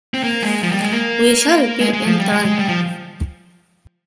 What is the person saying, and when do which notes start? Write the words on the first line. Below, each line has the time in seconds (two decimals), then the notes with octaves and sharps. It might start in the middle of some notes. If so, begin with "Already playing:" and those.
We shall be in time.
0.14 C4
0.23 A#3
0.43 G#3
0.63 F3
0.72 G3
0.81 G#3
0.92 A#3
1.80 G#3
1.93 G#3
2.06 F3
2.20 G3
2.32 G#3
2.45 G#3
2.59 G3
2.69 F3